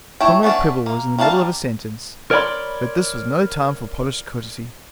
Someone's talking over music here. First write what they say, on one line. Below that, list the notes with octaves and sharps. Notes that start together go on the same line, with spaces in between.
Comrade Prebble was in the middle of a sentence, but this was no time for polished courtesy.
A3 E4 C#5 G5
A3 B3 C#4 D4
A#3
G3 A#3 D4 F5 A5
A#4 C#5 D5 G5 B5 C6